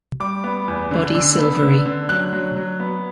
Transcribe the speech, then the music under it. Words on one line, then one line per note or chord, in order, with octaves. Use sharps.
Body silvery.
G3 D6
B3
E2
D3
D3 E6
B3
D3
D3
F#3 F#6
F#3
F#3
B3